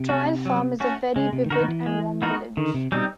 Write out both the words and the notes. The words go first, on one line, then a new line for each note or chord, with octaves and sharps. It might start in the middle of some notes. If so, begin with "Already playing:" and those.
Trial Farm is a very vivid and warm village.
Already playing: C3
A3 C#4 F#4
F#3
A3 C#4 F#4
C#3 G#3
C3
D#3
D3 B3 D#4 F#4 A#4
D#3
E3
G#3
B3 D#4 F#4 A#4
D3 D#3
C3
B2 G3 C4 D#4